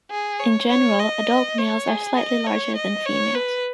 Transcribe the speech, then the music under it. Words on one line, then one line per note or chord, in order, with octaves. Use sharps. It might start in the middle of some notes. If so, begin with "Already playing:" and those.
In general, adult males are slightly larger than females.
G#4
C#5
C#5
D#5
C#5
G#4
D#5
C#5
D#5
C#5
B4